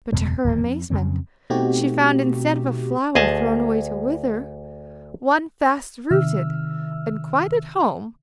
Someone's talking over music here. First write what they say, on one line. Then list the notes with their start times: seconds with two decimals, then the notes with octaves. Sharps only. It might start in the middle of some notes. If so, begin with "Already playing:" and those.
But to her amazement she found, instead of a flower thrown away to wither, one fast rooted and quite at home.
0.12 F#1 E2 B2 G#3
0.44 D1 D#2 G#2 D#3
0.65 F2
0.90 F2 C#3 F#3 C4
1.50 B2 A3 C4 D#4 F#4 G4
3.15 D2 G#4 D#5 G#5 A5
6.11 C3 D#3 E5 E6 F6